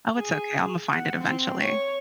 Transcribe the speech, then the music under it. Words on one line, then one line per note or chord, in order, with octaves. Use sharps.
Oh, it's okay, Imma find it eventually.
G#4
F#5
C4
C#5